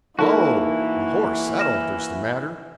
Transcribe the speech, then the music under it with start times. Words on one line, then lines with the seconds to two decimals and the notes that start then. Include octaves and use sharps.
'Oh! a horse; that alters the matter.
0.19 E3 A#3 D#4 E4 F#4 A4 A#4
1.58 F6 A#6 E7